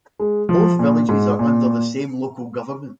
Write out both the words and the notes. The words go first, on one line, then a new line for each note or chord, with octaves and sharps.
Both villages are under the same local government.
G#3
F3
A#2
G#2
A#2